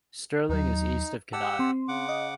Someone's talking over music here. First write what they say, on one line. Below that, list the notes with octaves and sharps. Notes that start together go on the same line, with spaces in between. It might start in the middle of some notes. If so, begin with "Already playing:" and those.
Sterling is east of Kenai.
D#2 F#3 D#4
G4 F#5 A5 E6
C4 C6
C#3 F#5 D6
D#5